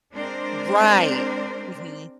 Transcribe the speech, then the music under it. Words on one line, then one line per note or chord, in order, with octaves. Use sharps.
Right. Mhm.
G#3 C4 D4 A#4 C5 D5